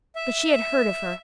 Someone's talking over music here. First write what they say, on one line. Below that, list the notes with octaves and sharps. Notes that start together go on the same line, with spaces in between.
But she had heard of her.
E5